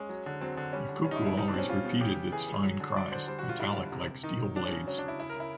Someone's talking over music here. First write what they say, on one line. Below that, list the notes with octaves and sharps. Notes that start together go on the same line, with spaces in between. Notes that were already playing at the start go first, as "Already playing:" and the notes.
The cuckoo always repeated its fine cries, metallic like steel blades.
Already playing: G#3 C#4
F#3
D3
F#3 C4
D3
G3 C#4
D3
G3 C#4
D#4
E4
D3
E4
G3 D#4
D4
B2 C4 C#4
G3 F4
B2
C#3 G4
C#3
E3 G#4
G3
F#3
D3
F#3 D5
D3 C5
G3 C5
F#4
D3
F4
G3 E4
D3
C3
C3
D#3 D#4
F#3
F#3 D4
C#4
C#3
F#3 C#4
D4
C#3 E4
C#3 E4
A#4
C#3 E4